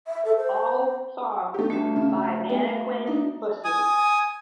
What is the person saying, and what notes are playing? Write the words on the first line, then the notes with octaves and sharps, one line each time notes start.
All songs by Mannequin Pussy.
E5
A4
C5
A3 G4
G1 A3 F#4 E5
C#3
B3
D4 D#4
G#5 D#6